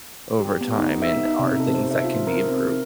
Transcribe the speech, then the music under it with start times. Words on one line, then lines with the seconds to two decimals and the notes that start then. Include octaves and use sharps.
over time and are things that can be improved
0.40 G4
0.61 B3
0.79 D#4
1.02 E5
1.25 D#4
1.39 C3
1.60 A4
1.74 C5
1.91 E5
2.04 F4
2.27 A#4
2.48 C4